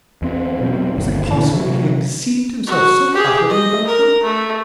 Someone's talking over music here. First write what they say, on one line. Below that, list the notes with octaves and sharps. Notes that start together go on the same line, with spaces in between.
Was it possible he had deceived himself so utterly about her?
E2 C4
B2 F#3 C4
G1 D#2
A#2 D3 E3
C3 E3 F#3
F#4
G4 G#4
D#5
A#4
A3